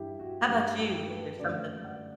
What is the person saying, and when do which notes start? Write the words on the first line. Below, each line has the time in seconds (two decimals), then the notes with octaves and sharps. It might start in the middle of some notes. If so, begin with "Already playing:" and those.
How 'bout you? Is there something
Already playing: G2 E3 G3 E4 G4
0.19 F#4
0.49 G2 F#3 A3 G4
0.79 A4
1.09 B4
1.39 F#2 D3 F#3 A3 D5
1.85 F#5